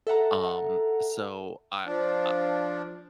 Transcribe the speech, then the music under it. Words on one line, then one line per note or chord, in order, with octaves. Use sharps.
Um, so I I
A4 E5 F#5 A#5
F3 D4